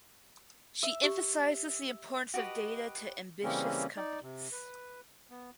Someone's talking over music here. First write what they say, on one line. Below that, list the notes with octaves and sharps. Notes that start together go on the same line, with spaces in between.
She emphasises the importance of data to ambitious companies.
E5
G4
F#4 G4 B4 D#5
C#3 E3 G3 A#3 C4 C#4
D#4 D5
C3
B4
B3